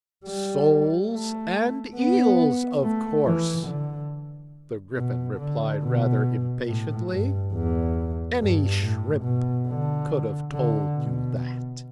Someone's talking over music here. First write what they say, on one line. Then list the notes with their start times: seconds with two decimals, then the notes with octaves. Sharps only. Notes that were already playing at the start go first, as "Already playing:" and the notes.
'Soles and eels, of course,' the Gryphon replied rather impatiently: 'any shrimp could have told you that.'
0.25 G3
1.11 A3
1.96 B3
2.82 A3
3.25 E3
3.67 D3
4.97 B2
5.38 D3
5.82 B2
6.67 A2
7.10 G2
7.53 E2
8.39 G2
8.81 A2
9.24 B2
9.68 D3
10.53 D3
10.96 B2